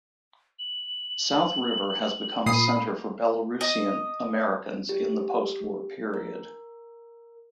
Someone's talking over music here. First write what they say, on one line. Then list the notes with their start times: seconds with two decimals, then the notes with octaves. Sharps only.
South River has become a center for Belarusian Americans in the postwar-period.
0.59 F#7
2.46 A#2 B5 D#6 C7
3.61 D#5
4.89 G4
6.14 A#4